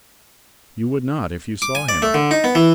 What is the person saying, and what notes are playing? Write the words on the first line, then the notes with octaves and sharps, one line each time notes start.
You would not if you saw him.
D6
G#5
D5
A3
D3
D#4
B3
E3